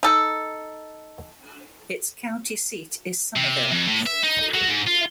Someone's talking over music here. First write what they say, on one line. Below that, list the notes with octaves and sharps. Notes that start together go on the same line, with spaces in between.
Its county seat is Somerville.
D#4 A4
C3
F2
A2
E5
D#4
F#3
G#2
F4